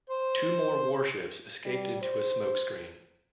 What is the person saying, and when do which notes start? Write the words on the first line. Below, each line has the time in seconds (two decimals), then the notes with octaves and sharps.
Two more warships escaped into a smoke screen.
0.09 C5
1.65 G3
2.02 C5